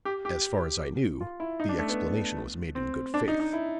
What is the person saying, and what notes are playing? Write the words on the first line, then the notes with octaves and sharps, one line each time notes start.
As far as I knew the explanation was made in good faith.
G4
G4
F4
E4
D#4
D4
A3
B3
C4
D4
D#4
D#4
E4